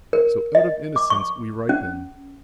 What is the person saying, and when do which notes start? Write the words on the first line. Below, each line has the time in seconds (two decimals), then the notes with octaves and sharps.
So out of innocence we ripen.
0.13 A#4
0.55 D#5
0.96 D6
1.10 C#6
1.69 C#4